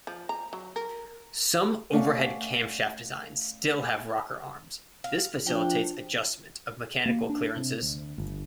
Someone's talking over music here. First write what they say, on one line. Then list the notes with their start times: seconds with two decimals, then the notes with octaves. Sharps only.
Some overhead camshaft designs still have rocker arms; this facilitates adjustment of mechanical clearances.
0.07 F3
0.29 A#5
0.53 F#3
0.76 A#4
1.93 A3 C#4 D5 F5 F#5
5.04 F5
5.46 F3 D4 G5
7.06 A#3
7.29 D4
7.56 C3
7.82 D2
8.18 G1